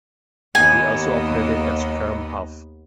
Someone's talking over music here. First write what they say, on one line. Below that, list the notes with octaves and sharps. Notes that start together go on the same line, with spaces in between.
He also operated at scrum-half.
D#2 B3 D#5 G#5